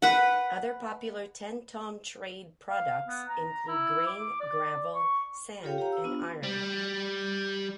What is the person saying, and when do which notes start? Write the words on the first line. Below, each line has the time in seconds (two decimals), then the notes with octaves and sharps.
Other popular Tenn-Tom trade products include grain, gravel, sand, and iron.
0.02 B4 F#5
2.69 F5
3.08 B3
3.29 A#5
3.68 E4
4.07 D6
4.40 D5
4.95 C#6
5.63 F4 G4 A4 C#5 F5 G5
5.78 G4 F5 A#5
5.92 E6
6.04 B3 D4 F4
6.43 G3